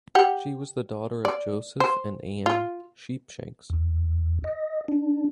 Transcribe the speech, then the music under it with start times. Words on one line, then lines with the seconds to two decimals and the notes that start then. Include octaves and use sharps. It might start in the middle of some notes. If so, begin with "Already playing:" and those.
She was the daughter of Joseph and Ann Sheepshanks.
0.15 G4 F#5
1.25 D5
1.80 C5
2.46 F4
3.70 E2
4.44 D#5
4.88 D4